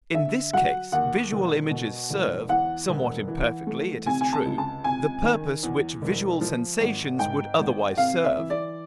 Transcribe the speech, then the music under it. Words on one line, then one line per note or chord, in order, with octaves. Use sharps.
In this case visual images serve, somewhat imperfectly it is true, the purpose which visual sensations would otherwise serve.
D3 E5
F#3 F#5
D#2 F#5
E1
B2
E1
E2 F#5
E1
E3
A3
C3 G#5
G#5
A5
C#2
A5
C3 G#5
D#3
E2
E1
F3
G#1
G#2 G5
G#1
C3 F5
E5
E3
D5